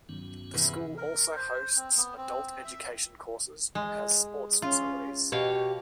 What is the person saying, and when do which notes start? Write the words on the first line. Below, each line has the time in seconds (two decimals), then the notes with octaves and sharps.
The school also hosts adult education courses and has sports facilities.
0.09 G2 D#3 F#3 B3 C#4
0.54 E2 C3
0.98 A#4
1.36 C5
1.77 C4
1.97 B3
2.17 C4
2.64 E5
3.75 G#3
4.62 C#4 F4
5.32 B2 G4 C#5 F5